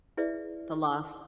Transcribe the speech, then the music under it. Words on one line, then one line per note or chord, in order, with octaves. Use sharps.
The loss.
E4 G#4 B4 D5 E5